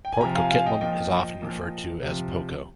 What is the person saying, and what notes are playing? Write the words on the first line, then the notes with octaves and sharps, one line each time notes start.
Port Coquitlam is often referred to as PoCo.
G5
G#5
C3 F3 G5 A#5
F5 G#5
F5 G#5
D#5 G5
A#2 F3 D#5 G5
A#2 F3
C3 F3